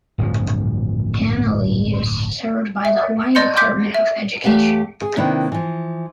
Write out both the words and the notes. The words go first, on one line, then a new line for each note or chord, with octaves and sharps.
Hanalei is served by the Hawaii Department of Education.
D1 A#1 G2 F3
E5
D5 D#5 C6 G6 C#7
C6 D6 G6 B6
E5
E2 A3 G4 F5 F#5
G#4
C3 D#3 A#3 B3 D4 E4
E3 F3